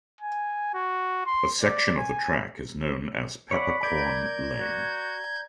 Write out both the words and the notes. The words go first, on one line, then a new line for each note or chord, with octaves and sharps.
A section of the track is known as Peppercorn Lane.
G#5
F#4
C6
D5
G#5
C#5 D5 F#5 B5
A#4 D5 G6 G#6
F#4